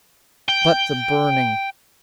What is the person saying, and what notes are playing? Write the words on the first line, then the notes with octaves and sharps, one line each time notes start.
But the burning!
G5